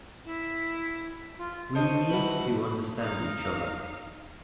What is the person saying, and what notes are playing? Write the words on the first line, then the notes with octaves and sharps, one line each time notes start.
We need to understand each other.
E4
F4
C5 C#5 D#5 A5
E4 F#4 B4
D#4 F5